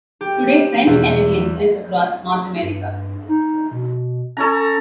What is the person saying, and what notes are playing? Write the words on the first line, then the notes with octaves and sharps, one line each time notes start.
Today, French Canadians live across North America.
G4
E2 B2 G#4
G2
D#4
B2
C#4 A4 C#5 A#5